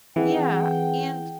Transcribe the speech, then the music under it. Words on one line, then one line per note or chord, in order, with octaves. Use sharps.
Yeah, and
E3 C4 G#4 F#5 G5